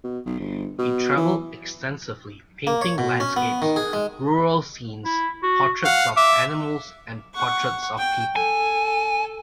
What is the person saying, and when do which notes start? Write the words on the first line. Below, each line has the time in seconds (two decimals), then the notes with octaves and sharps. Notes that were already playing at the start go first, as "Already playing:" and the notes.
He traveled extensively painting landscapes, rural scenes, portraits of animals, and portraits of people.
0.04 B2
0.26 B1
0.40 G1
0.78 B2
1.17 E3
2.67 A#3
2.81 C#5
2.98 B2
3.20 C#4
3.36 B3
3.62 D#3
3.76 G#4
3.93 G#3
5.05 E4
5.43 F#4
5.85 F5 F#5
6.16 E5 D6
7.34 F#5 C#6
7.98 G5
8.36 A4 G#5